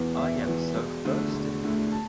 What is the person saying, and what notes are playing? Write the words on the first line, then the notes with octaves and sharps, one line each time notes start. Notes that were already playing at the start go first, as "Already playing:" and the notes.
I am so thirsty.
Already playing: E1 E2 E3 B3
E1 E5
E2 E3 B3
E1
D2 D3 A3
E1
D2 D3 A3
A5